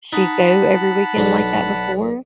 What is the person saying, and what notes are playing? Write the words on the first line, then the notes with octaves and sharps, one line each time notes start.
she go every weekend like that before?
D#4 F#5 A5 B5
B1 D4